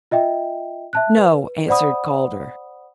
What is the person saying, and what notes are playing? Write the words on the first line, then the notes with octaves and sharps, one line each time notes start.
"No," answered Calder.
F4 D#5 E5 G5
E5 A5 F#6
B4
C5 D5 F#5 B5 D#6